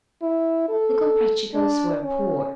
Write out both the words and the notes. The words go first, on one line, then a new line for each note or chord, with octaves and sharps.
The Comprachicos were poor.
E4
A4
D4
C#4